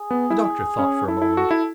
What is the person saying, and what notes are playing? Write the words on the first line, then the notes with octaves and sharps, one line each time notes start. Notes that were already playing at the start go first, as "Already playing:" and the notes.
The doctor thought for a moment.
Already playing: G#4
B3
E4
C#4
E4 A4
E4
F#4
E4